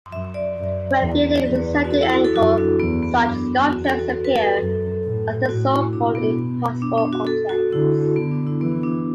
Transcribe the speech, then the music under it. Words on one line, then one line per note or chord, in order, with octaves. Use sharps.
When viewed at a certain angle, such sculptures appear as the so-called impossible objects.
F#2 E5
D5
F#2
E2
E2 B4
F#4
A4
E4
F#4
A4
F#2 F#4
D4
E2 B3
B3
F#2 D4
D4
E2 F#4
A4
F#4
B4
A4
F#2
A2
A2 F#4
E4
B2 D4
B3
D4
D4
F#4
A4
F#4
D3 E4
D3 B3
D4
E4
E3 B3
D4